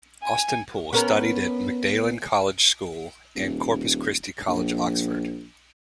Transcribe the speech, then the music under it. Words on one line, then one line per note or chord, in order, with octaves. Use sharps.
Austin Poole studied at Magdalen College School and Corpus Christi College, Oxford.
G#5
B3 C#4 A#4
D#1
A#1